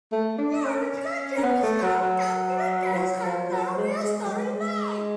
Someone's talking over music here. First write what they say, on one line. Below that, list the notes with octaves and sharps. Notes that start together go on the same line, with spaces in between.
The original Japanese home computer games had no real storyline.
A3
D4
C#4
C#4
B3
A3
F#3
F#3
F3
F#3
F3
F#3
G#3
G#3
F#3
G#3
G#3